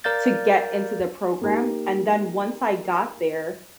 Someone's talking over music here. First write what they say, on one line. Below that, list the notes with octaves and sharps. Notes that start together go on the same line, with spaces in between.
to get into the program, and then once I got there,
A#4 D5 F5 G6 A6
A#3 D#4 G4